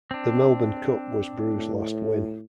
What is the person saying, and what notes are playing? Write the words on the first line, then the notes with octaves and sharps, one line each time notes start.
The Melbourne Cup was Brew's last win.
C4 D4
A2